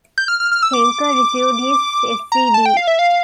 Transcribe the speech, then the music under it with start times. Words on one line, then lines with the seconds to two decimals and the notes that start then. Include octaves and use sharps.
Shenker received his Sc.B.
0.18 G6
0.28 F6
0.40 F6
0.51 F6
0.63 E6
0.73 D6
2.32 A#5
2.54 A5
2.66 G5
2.77 F5
2.87 E5
2.99 F5